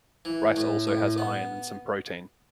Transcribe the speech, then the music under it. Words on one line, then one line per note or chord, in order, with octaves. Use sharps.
Rice also has iron and some protein.
E3
A2
A2
B3